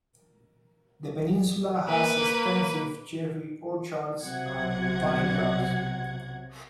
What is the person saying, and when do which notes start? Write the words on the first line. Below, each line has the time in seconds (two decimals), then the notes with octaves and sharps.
The peninsula has extensive cherry orchards and vineyards.
1.87 A#3 B4
4.23 B1 C3 F#3 F#5 G#6